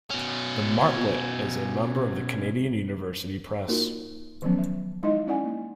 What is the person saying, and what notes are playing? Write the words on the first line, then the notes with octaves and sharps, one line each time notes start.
The Martlet is a member of the Canadian University Press.
B2 C#4
A#3 D#4 F4 F#4 A#4
D#3 F3 F#3 B3 C#4
E5
G#3 D#4 E4 D#5
C#4 E4 D5 F#5 G#5
A#3